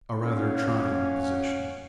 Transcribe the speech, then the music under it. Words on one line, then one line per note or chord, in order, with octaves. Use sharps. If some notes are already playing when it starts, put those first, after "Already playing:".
A rather trying position.
C#4 F5 F#5